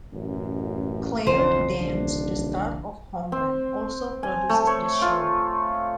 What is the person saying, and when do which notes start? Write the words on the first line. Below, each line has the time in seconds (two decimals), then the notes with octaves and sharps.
Claire Danes, the star of "Homeland", also produces the show.
0.14 A1 F#2
1.27 B1 F2 C#3 E3 C5
1.80 D#1 D4
3.32 C4
4.23 G#5
4.49 A3
4.67 C#5
5.02 F4